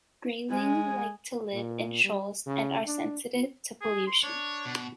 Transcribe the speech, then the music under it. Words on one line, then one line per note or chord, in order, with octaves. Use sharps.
Grayling like to live in shoals and are sensitive to pollution.
G#3 G#4
A#2
G3
C#3
D4
G#4
C6
D4 C#5
B2